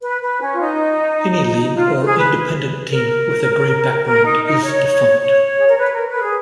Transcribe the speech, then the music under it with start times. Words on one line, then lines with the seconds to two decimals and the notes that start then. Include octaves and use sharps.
Any league or independent team with a grey background is defunct.
0.02 B4
0.21 B4
0.41 C#4
0.53 F4
0.59 D#4
1.75 F4
2.04 G#4
2.18 B4
2.91 A#4
4.05 A#4
4.25 D#4
4.44 D#4
4.63 C#5
5.21 C#5
5.57 G#4
5.68 A#4
5.77 B4
5.93 A#4
6.07 B4
6.15 A#4
6.21 G#4